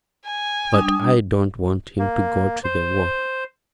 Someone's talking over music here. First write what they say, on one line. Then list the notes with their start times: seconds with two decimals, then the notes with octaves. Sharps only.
But I don't want him to go to the war.
0.25 G#5
0.73 G3 D4 D#6
1.99 A#3
2.64 C5